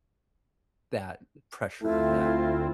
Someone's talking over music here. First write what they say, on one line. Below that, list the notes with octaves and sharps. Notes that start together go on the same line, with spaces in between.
that pressure, that
D2 A3 C4 E4 F4